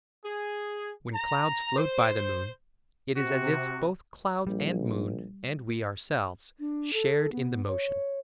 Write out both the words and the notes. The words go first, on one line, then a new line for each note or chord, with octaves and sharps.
When clouds float by the moon, it is as if both clouds and moon and we ourselves shared in the motion.
G#4
A#5
C5
C3 F#4
A#1 G3
D4
A4
B3
C#5